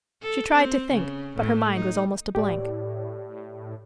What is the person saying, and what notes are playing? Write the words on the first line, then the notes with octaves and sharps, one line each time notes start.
She tried to think, but her mind was almost a blank.
A4
C4
C#3
A2
D#4
A2 G4 D5